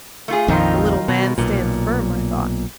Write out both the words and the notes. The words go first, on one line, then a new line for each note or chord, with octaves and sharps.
The little man stands firm, I thought.
A3 F4 G#4
A#1 F2 D#3 D#4 F4
B2
B1 A#2